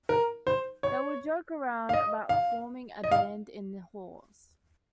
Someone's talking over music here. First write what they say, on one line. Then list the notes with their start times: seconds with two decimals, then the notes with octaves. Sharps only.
They would joke around about forming a band in the halls.
0.09 A#4
0.47 C5
0.83 C#5
1.89 F5
1.93 D#5
2.29 F5
3.04 D#5
3.12 F5